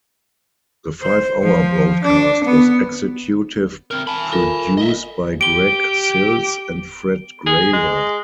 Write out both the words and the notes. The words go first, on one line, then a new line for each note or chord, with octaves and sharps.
The five-hour broadcast was executive produced by Greg Sills and Fred Graver.
C5
F3
D4
B3
C4 A#4 F6
G#5 A5 B5
F4 A4 A#4
D#5 E5
G4 D7 G7
G#4
G#3